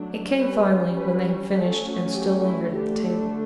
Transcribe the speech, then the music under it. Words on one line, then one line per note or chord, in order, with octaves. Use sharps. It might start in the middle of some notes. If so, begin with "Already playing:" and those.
It came finally when they had finished and still lingered at the table.
Already playing: F#3 A3 D4
G3 C#4 B4
B4
F#3 A3 C#4 A4
G4
E4
D3 A3 D4 G4
A4